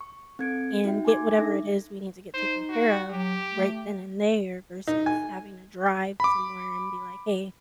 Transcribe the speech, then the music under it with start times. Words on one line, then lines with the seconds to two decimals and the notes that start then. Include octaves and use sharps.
and get whatever it is we need to get taken care of right then and there versus having to drive somewhere and be like, "Hey."
0.01 C#6
0.39 C4 A4 G#6 C#7 D7
0.84 D#4 F#4 E5 G5
1.05 G#5 C6 D6 G#6
1.39 D4 D#4 A4 E5 A#6
2.34 D#4 C5
2.69 F#4
3.10 F#3 G4
3.51 A3
4.87 D#4
5.06 G#5
6.20 B5 D6